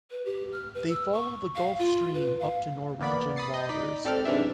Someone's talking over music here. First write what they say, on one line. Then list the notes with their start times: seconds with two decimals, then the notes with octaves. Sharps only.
They follow the gulf stream up to Norwegian waters.
0.11 B4
0.25 G4
0.52 F6
0.75 B4
0.89 E6
1.13 C#6
1.56 F5
1.79 F4
2.14 B4
2.39 F5
2.99 A1 A#3 B3 D5 B5
3.36 B5 D#6 A6 C7 C#7
3.54 D#5 G6
3.69 D#4 D5 B6
4.04 G#1 C4 G4 A4 D5 F6
4.25 B1 G#2 C3 E3 D4 E5